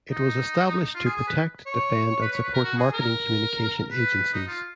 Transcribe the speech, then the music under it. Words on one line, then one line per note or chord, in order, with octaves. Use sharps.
It was established to protect, defend and support marketing communication agencies.
D#4
F4
G#4
G#4
B4
C#5
B4
C#5
B4
A#4
F#4
G#4
A#4
B4
D#4
F4